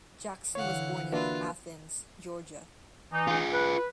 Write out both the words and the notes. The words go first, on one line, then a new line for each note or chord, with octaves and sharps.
Jackson was born in Athens, Georgia.
D3 E3 C#5 F5 F#5
A#3 D4 F4 F#4 B4 E5
E3 D#4
F4 G#4
B4